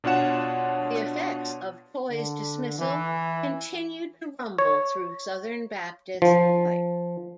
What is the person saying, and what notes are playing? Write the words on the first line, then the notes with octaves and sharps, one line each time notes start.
The effects of Toy's dismissal continued to rumble through Southern Baptist life.
B2 D4 F4 C#5 F#5 E7
D3
E3
C#5
F3